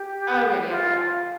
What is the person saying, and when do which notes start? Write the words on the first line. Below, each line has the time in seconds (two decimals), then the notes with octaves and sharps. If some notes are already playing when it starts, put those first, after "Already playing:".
Oh, yeah, yeah, yeah, yeah.
Already playing: G4
0.67 F4